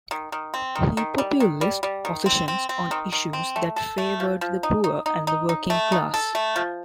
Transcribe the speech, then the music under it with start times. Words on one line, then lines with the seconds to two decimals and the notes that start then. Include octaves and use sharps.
He populist positions on issues that favored the poor and the working class.
0.11 D#3
0.32 D#3
0.54 C4
0.75 D#3
0.97 D#3
1.18 G3
1.40 D#3
1.61 G3
1.83 G3
2.05 D#3
2.26 C4
2.48 C4
2.69 C4
2.91 D#3
3.12 D#3
3.33 C4
3.56 A3
3.76 A4
3.98 A3
4.20 F3
4.41 F3
4.63 D#4
4.84 D#4
5.06 D#4
5.27 D#4
5.49 D#4
5.70 A3
5.92 D#4
6.14 A4
6.35 A3
6.56 F3